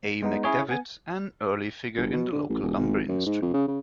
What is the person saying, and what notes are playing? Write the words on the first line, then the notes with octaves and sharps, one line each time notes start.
A. McDavitt, an early figure in the local lumber industry.
G#3 B3 D#4
C#4 E4 G#4 C#5
B3 G#5
G1
B2
D3
A1
E1
G#1
F#2
G#2
F2
C#3
C#3